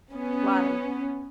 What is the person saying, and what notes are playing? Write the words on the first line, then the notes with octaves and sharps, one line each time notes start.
plot of,
B3 C#4